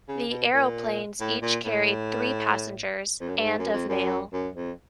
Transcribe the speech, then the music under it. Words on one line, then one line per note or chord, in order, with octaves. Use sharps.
The aeroplanes each carried three passengers, and of mail.
C#3
B2
A#2
A2
A#2
A2
F2
F#2
G2
G#2
F#2
F2
F#2
F#2
F2